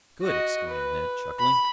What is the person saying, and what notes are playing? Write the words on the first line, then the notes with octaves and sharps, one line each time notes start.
"Good!" exclaimed Ned, chuckling.
F#4 D#5
B4
B5